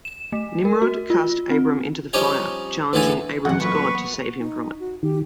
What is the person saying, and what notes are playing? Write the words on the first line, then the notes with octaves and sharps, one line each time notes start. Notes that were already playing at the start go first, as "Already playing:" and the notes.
Nimrod cast Abram into the fire, challenging Abram's God to save him from it.
E7
A3
A#4
F#4
F4
C4
F3 G3 C#4 D#4 G4 C#5
E2 A2 D3 E3 A4 G#5
G#1 E3 F#3 F#4 F#5
A1 F2 F#3 A#3 B4 D5 C#6
B3
D#4
F#4
D#3 G4